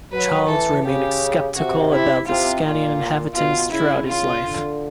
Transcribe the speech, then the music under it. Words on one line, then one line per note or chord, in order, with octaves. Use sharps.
Charles remained sceptical about the Scanian inhabitants throughout his life.
F#3 B4
E3 A4
C#3 G4
C3 F#4
E4
C3 F4
A#2 F4
B2 F4
C#3 E4
F4
D3